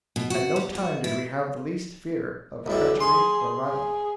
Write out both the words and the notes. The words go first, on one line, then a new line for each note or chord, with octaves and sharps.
At no time did we have the least fear of treachery or violence.
B2
F#4
G3
F#4
E4
B1 G3 E4
G#4 C6
G#4